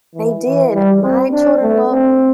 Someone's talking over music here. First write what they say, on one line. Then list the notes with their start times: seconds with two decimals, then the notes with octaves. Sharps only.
They did, my children loved
0.15 E3
0.45 E3
0.74 G3
1.03 C4
1.32 D4
1.62 A3
1.91 C4